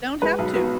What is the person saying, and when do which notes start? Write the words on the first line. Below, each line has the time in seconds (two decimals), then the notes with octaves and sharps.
Don't have to.
0.22 G#3 B4
0.38 B1
0.55 B3 F#4